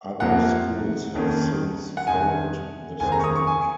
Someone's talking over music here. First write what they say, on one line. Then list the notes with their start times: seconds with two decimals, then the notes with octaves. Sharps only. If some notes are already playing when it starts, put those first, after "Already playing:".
Other schools have since followed this trend.
0.20 F2 C3 F3 A#3 F#5
1.14 F1 F2 D#3 A#3 C#4
1.97 F#5
2.07 F2 C3 D#3 G#5
3.00 F1 D#2 D#3 G#3 C4 G#5
3.12 A#5
3.20 C#6
3.24 D#6
3.36 C#6
3.47 G#5